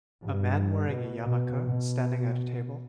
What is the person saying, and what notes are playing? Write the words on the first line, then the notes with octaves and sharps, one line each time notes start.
A man wearing a yarmulke standing at a table.
G2
B2
B2
B2